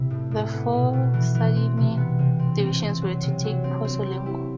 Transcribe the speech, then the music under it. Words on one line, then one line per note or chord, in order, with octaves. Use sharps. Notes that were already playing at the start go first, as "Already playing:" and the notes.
The four Sardinian divisions were to take Pozzolengo.
Already playing: C3 E4
A2
A2
B3
B2
B2
E3
E3
C4
C3
B3
C3
C4
C4
C4
F#3
C3
F#3
C4
C4
G4
E4